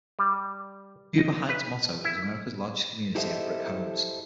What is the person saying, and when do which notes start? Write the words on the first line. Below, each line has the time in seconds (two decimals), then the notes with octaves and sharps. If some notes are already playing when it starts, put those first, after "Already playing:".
Huber Heights' motto is America's largest community of brick homes.
0.19 G3
1.18 D#5
1.49 B4
2.04 E4
3.15 E4 G4 A4 C5 D#5 E5